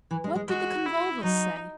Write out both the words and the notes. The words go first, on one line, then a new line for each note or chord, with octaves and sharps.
What did the Convolvulus say?
E3
G#3
G#3
G#3 F#4
E4
F#3 D#4